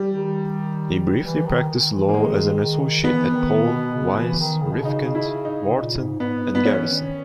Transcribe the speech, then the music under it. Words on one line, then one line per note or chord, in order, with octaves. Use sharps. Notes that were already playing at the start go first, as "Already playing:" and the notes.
He briefly practiced law as an associate at Paul, Weiss, Rifkind, Wharton and Garrison.
Already playing: G3
D#3
E3
D#3
D#3
E3
A#3
D#3 G#3
D#3
E3 B3
D#3
B2
C#3
E3
D#3
C#3
B2
C#3 D#4
E4
D#4
A#2
G#2
G#2 B3
G2
B3
E3 C#4
D#3